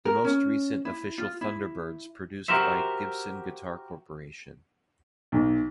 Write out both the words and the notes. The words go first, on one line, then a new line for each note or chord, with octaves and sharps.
The most recent official Thunderbirds produced by Gibson Guitar Corporation.
A#4
C#4
E4
F4
E4
F#4 G4 A#4 C5 E5
B1